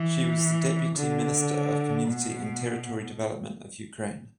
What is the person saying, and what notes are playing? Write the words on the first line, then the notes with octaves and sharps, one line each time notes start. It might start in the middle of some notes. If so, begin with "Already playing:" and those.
She was the Deputy Minister of Community and Territory Development of Ukraine.
Already playing: E3
D3
B2